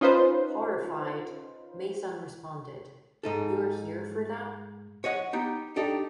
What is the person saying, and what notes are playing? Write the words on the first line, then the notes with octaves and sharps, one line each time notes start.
Horrified, Mason responded, You're here for that?
C#4 D#4 F4 B4 C5
G#2 D#4 A4
C#5 D#5 F#5
B3 D#4 G4
D4 D#4 G4 A4